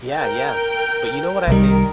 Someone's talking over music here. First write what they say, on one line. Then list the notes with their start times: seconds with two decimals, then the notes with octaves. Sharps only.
Yeah, yeah. But you know what I think?
0.12 A#4 G5
1.48 C2 D#3 G3 A#4